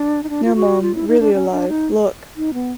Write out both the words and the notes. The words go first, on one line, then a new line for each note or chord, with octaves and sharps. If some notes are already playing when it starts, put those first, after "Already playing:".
No, mum, really alive. Look.
Already playing: D4
D#4
D4
F4
F#4
F4
E4
D#4
D4
C#4
D4
D#4
D#4
B3